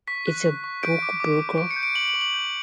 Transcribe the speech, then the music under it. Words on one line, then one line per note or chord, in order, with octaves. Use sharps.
It's a book broker.
C#6 B6
F#6
C#6
C#6
G6 D7
D6
D6
D6
C#6 D7
C#7
G6
D7
C#6 F#7
F#7
C#6
F#7
G6